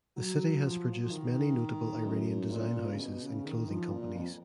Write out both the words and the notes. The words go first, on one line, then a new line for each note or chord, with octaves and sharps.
The city has produced many notable Iranian design houses and clothing companies.
F#3
F3
F#3
F3
D#3
F#2
A#2
C#3
B2
C#3
D#3
F3
A#2
F2